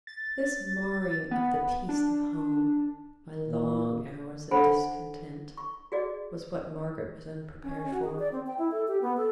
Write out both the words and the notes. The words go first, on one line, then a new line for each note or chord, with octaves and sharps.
This marring of the peace of home, by long hours of discontent, was what Margaret was unprepared for.
A6
B3
D4
A#2
D4 A4 C5 F#5 G#5 B5
C#6
F#4 G#4 D5 D#5
C#4
C#4
F#4
G#4
D5
C4
G5
E4
A4
G4
B3
A4